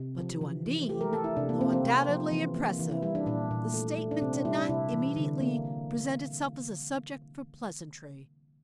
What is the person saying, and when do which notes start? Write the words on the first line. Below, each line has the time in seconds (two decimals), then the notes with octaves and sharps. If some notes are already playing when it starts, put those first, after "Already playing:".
But to Undine, though undoubtedly impressive, the statement did not immediately present itself as a subject for pleasantry.
Already playing: C3
0.18 F3
0.41 E3
0.66 E3
0.89 A3 G4
1.01 A#4
1.13 A3 A4
1.24 E4
1.37 C3 D4
1.49 A#3
1.61 A#3 C4
1.73 C4
1.84 C3
2.08 F3
2.31 E3
2.56 A#3
2.79 E3
2.91 E4
3.02 G3 E4
3.15 D4
3.26 A#2 D4
3.51 A#2
3.74 A3
3.98 A3
4.11 D4
4.21 C3 C4
4.33 D4
4.45 G3 E4
4.58 D4
4.69 C3 E4
4.93 E3
5.16 D3
5.41 A#3